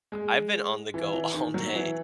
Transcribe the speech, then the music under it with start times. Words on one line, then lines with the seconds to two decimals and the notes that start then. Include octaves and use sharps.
I've been on the go all day,
0.12 G#3
0.94 E3
1.14 E3
1.34 D#3
1.54 F#3
1.75 E3